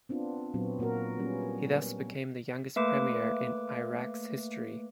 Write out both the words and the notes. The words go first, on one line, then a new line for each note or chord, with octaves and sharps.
He thus became the youngest premier in Iraq's history.
B3 C4 D4 F4
A#2 F#3 B3 C4 F#4
A#2 A#3 C4 F#4 A#4
G3 A#3 B3 C#4
A3 A#3 B4 D6